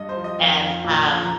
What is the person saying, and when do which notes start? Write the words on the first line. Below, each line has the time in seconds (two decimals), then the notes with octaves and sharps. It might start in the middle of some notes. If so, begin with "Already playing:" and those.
And, um,
Already playing: G2 D#5
0.09 C5
0.17 F3
0.24 D#5
0.39 F2 F5
0.62 F3
0.84 A#2
1.07 F3
1.23 A#5